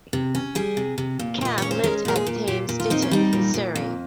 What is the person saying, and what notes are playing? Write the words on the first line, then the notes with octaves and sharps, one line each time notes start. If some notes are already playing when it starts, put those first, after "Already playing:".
Camm lived at Thames Ditton in Surrey.
C3
C#4
G3 G#4
C3
C3
A#2
A#2 D#5
C#4 C#5
C5
G#3 A#4
A#2 A#4
G#4
A#2
A#2 G4
A#2
F4
C4 D#4
C#4
G3 D#4
A#2
A#2
F2